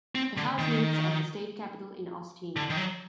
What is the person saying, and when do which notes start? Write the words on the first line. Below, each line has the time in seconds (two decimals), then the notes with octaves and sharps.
The House meets at the State Capitol in Austin.
0.15 C4
0.37 D3
0.58 D#3
2.56 D3
2.70 D#3
2.77 F#3